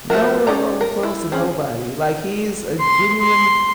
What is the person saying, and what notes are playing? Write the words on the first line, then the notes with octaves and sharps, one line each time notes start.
Now we're remotely close to nobody, like he's a genuine
F3 A3 F4 F#4 A#4
C#4 D#4 G4 D5 A#5
A#4
E4
C4 C#4 G#4
C6
C6